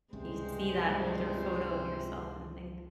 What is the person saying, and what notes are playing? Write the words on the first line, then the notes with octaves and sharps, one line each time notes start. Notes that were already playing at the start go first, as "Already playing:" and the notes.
you see that older photo of yourself and think
C#2 G2 C3 G#3 C5